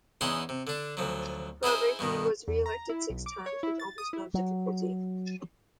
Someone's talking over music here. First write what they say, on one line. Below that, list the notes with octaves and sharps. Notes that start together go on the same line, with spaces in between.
However, he was reelected six times with almost no difficulty.
E2 C#4 D#4 E4 F#5 C6
C3
D3 D4
D2 F3 F#3
D#4 E4 G#4 C5
G2 B2 D#3
E2
A#5
E4
B1
D6
C#5
E4
A6
D#6
E4
F#3